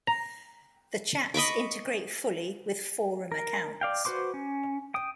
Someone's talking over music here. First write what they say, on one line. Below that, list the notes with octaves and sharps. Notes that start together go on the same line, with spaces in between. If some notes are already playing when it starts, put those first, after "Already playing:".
The chats integrate fully with forum accounts.
A#5
D#5 B5 C#6 D6
A#4
D5 F5 G5
F#4 B4 C5 C6 D6
C#4
G5 D#6